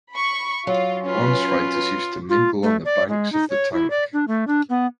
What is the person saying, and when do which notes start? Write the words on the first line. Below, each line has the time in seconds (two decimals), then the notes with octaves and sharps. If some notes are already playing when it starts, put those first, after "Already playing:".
Once writers used to mingle on the banks of the tank.
0.13 B5 C#6
0.67 F#3 F4
1.07 C#4 F4 B4
2.29 F4
2.63 A3
2.85 D5
3.08 G#3
3.32 D#4
3.50 C#5
3.73 E4
3.90 D5
4.13 D4
4.28 A3
4.48 D4
4.69 B3